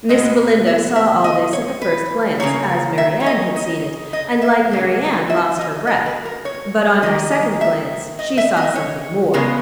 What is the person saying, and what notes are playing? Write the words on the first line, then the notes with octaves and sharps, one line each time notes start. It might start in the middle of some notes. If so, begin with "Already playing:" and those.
Miss Belinda saw all this at the first glance, as Mary Anne had seen it, and, like Mary Anne, lost her breath; but, on her second glance, she saw something more.
B2 G#3 B3 D#5
E5
E5
D#5
C#5
B4
C#3 E3 A#3 C#5
E5
C#5
D#5
D#5
D#5
E5
C#3 F#3 A#3
E5
D#5
D#5
B4
A#4
C#5
D#3 A#3 D#5
D#5
E5
D#5
E5
D#5
C#5
C#3 G#3 B3 A#4